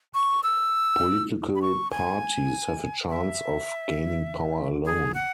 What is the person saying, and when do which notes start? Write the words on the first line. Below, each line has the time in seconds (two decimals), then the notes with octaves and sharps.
Political parties have a chance of gaining power alone.
0.14 C#6
0.43 E6
1.55 B5
1.62 C#6
1.91 G#5
3.09 E5
4.85 G#4
5.14 F#5